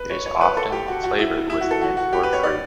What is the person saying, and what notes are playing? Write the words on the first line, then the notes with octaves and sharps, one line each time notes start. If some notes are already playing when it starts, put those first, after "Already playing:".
It is often flavored with mint or fruit.
Already playing: B4
C#5
C#5
B4
A4
G4
F#4
F#4
E4
E4
F#4
A4
F#4
F#4
G4
B4
C#5
D5